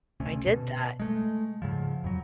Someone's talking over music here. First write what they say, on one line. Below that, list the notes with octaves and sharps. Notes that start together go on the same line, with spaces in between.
I did that.
D2 C3 C#4
B2
G#3 A3
G#2 C#3 F3
F2 F#3